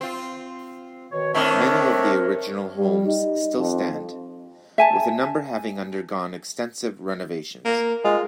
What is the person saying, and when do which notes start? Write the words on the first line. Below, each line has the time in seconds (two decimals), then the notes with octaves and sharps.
Many of the original homes still stand, with a number having undergone extensive renovations.
0.01 C4 F4
1.11 B2 D#3 C#5
1.34 A2 D#3 C4 D4 D#4 A#4 C#5 E5
2.78 G3
3.06 D#4
3.58 F2
4.78 E5 G#5 A5
7.65 A#3
8.04 G#3 F4